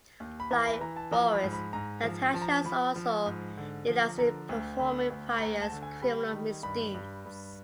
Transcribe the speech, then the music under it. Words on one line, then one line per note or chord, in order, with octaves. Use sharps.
Like Boris, Natasha also delights in performing various criminal misdeeds.
D#2
B5
E3 A#5
B5
E3 A#5
A5
F3 A#5
B5
G#2
B5
G#2 A#5
F3
F3 A5
A#5
A5
F3 B5
F3
G#2
D3
F3
D3 A#5
D2
D3 B5
D2
B5
D2 A#5
A5
D3
G#5
G3 B5
D#3
G2 B5
G2
G2